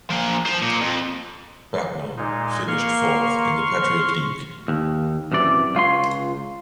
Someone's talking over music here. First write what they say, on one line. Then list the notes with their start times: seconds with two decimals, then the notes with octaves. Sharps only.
Bucknell finished fourth in the Patriot League.
0.10 F3 A#3
0.46 C5 A5
0.62 A#2
0.81 F2
2.17 A#2 G#3 D#4
2.68 A#3 C6 C#6 F6
4.68 D#2
5.32 F#2 C3 E3 D5
5.75 C#2 F4 C#5 C6